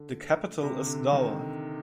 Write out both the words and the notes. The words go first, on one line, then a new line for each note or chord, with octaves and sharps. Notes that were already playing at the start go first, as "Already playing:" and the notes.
The capital is Dowa.
Already playing: D3
C3
D3
C3
D3
D#3